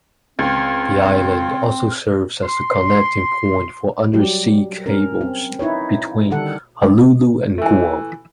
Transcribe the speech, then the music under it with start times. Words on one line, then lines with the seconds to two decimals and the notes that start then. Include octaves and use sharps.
The island also serves as the connecting point for undersea cables between Honolulu and Guam.
0.39 C#2 C4
2.43 C6
4.13 F#3 G3 G4
4.86 C#4 A#4
5.21 C4
5.59 D#4 E4 B4 C#5
6.31 D3 D#3 G3 A4 F#5
7.58 E3 A3